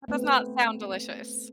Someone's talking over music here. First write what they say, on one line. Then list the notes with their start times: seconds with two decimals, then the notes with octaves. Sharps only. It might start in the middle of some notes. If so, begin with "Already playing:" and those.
That does not sound delicious.
0.08 A3 B3 C4